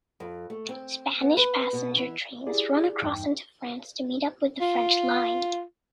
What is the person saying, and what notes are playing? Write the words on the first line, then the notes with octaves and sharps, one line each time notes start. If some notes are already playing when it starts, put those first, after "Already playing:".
Spanish passenger trains run across into France to meet up with the French line.
F2
A3
C4
B3
B4
B2
E3
E4 G4 G#4 D5
E2 G2 D#4 G5
F4